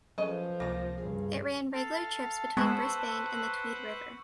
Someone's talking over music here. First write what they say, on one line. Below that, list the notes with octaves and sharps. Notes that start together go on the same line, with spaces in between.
It ran regular trips between Brisbane and the Tweed River.
F3 F#3 C#4 G#4 A4 B4 D#5
C#2 C3 A#3 F4 A#6
G2 C#3 G#4 F5
A4 F5 A5
G#3 B3 B4 C5 F#5 C#6 E6